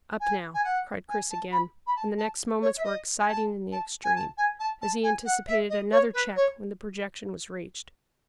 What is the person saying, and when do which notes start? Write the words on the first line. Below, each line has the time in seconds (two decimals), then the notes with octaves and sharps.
"Up now," cried Chris again, and the next moments were exciting in the extreme, as he anticipated another check when the projection was reached.
0.20 G#5
0.54 G#5
0.64 F#5
1.08 G#5
1.30 A5
1.52 B5
1.86 B5
1.96 A5
2.18 A5
2.61 C#5
2.76 E5
2.83 D#5
3.19 G#5
3.27 A5
3.72 A5
4.04 G#5
4.15 A5
4.37 G#5
4.59 A5
4.81 A5
5.03 G#5
5.25 F#5
5.47 E5
5.69 D#5
5.91 C#5
6.13 B4
6.35 C#5